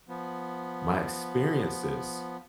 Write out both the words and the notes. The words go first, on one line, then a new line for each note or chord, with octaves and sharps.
my experiences
F3 B3